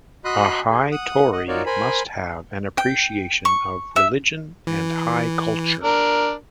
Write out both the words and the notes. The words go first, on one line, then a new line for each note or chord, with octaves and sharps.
A "High Tory" must have an appreciation of religion and high culture.
F#4 D#5 B5 C6 D#6 F#6
G#4
F#5 D#6
D#5 F#5
D#4 F4 F#4 A#4 C#5 D5
A#4 C5 G#5 B5
G5
C#6
E5
E3
D4 A#4